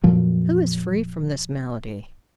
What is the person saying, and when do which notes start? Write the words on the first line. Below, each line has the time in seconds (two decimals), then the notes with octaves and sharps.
Who is free from this malady?
0.04 F2 A#2 F3 F#3